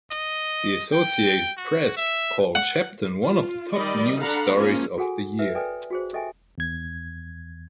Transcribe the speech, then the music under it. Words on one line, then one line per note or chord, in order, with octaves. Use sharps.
The Associated Press called Sheppton one of the top news stories of the year.
D#5
G5
F#4
E5
F#5
F4
D#3 G3 D5 D#5 B5
D4 A4 F5 F#5 A#5 B5
F3 G#3 A#3 C#4 F4
F#4 G#4 A4 F#5 G#5
A#4 B4 E5
A4 B4 D5 D#5 G5 G#5
F#4 G#4 C5
G4 A4 D#5 E5 G5 G#5
E2 G#6